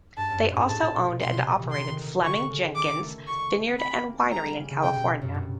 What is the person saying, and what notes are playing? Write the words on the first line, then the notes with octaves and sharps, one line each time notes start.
They also owned and operated Fleming Jenkins Vineyards and Winery in California.
G2 A5
F#2
G2
A2
G#2
A2 A5
A#2
B2
B2
B2 C6
C3
A#2
E3
D#3 C6
D3
D#3
D3 C#6
C#3
D#3 D6
A3
C#6
C4
B3 B5
A#3
A3
G#3 A#5
G3
C#3
C#3
C3 G5
B2
F#2
G2